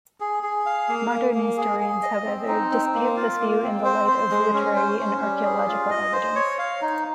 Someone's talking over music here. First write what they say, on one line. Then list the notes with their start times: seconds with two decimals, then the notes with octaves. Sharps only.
Modern historians, however, dispute this view in the light of literary and archaeological evidence.
0.20 G#4
0.43 G#4
0.66 F5
0.89 A#3
1.12 A#3
1.34 A#3
1.57 G#4
1.80 G#4
2.03 D#5
2.26 C4
2.48 D#4
2.71 C4
2.94 A#3
3.16 F4
3.39 A#3
3.62 C4
3.85 C5
4.08 C5
4.31 G#3
4.54 C#4
4.76 C5
4.99 C#4
5.22 G3
5.44 G#4
5.67 F4
5.90 D#5
6.13 C5
6.36 C#5
6.59 F5
6.82 D#4